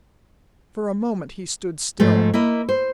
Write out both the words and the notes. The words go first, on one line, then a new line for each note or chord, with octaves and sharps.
For a moment he stood still.
G#2 F3 A3
A#3 E4 A#4 D#5
C5